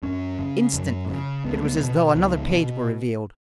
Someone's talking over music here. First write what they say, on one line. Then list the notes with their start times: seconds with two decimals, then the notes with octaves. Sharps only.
Instantly it was as though another page were revealed.
0.03 F#2 C#4
0.38 C#3
0.74 F#2
1.09 C#3
1.45 C#2 B3
1.55 A3
1.65 B3
1.81 B2
2.15 C#2
2.51 B2